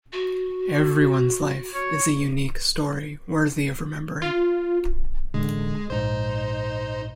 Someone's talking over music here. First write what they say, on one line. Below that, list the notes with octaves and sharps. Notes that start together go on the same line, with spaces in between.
Everyone's life is a unique story worthy of remembering.
F#4
C#5
F4
A1 D3 G#3
A#1 G#2 D#4 C5